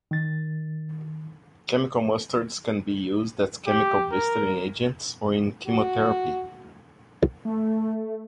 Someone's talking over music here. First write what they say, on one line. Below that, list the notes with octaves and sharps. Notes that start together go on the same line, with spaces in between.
Chemical mustards can be used as chemical blistering agents or in chemotherapy.
D#3 A6
G4
A#4
F#4
A3